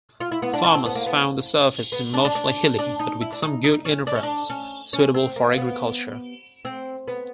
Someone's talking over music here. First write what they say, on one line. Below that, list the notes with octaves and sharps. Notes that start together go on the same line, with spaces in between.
Farmers found the surface mostly hilly, but with some good intervales suitable for agriculture.
F4
E4
B3
D4
C#4
C4
B3
A#3
B3
B3
D4
D4
D4
D4
D#4
E4
D4
D#4
D#4
C#4
D4
C#4
D4
C#4
C#4
C4
A#3
B3
C4
B3